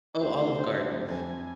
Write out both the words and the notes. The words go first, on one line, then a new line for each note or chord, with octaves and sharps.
Oh, Olive Garden.
D2 C3 C5
F2 G#5